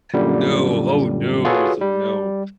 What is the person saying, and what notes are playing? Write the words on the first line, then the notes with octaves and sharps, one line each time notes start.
No, oh no, so no.
F#2 A#2 D3 G3
F4 F#4 G#4 A4 B4 C#5
G3